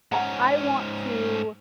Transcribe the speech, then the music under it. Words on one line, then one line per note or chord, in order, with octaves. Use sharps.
I want to
G#2 C#4 F#5 A#5